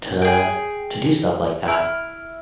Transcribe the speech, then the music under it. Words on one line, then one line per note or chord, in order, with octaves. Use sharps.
to to do stuff like that.
G#4 G5
E4 F6